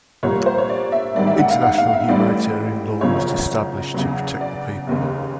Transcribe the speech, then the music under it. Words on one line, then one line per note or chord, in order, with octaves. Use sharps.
International humanitarian law was established to protect the people.
C2 A#2 F3 C#5
C5
C#5
D5
E5
A1 G#2 D#3 G3 D5
E5
F#5
F5
F#5
F5
E5
A1 A2 E3 G3 D5
G#1 F#2 C#3 F3 C#5
E2 C#3 F#3
D5
F1 D#2 C#3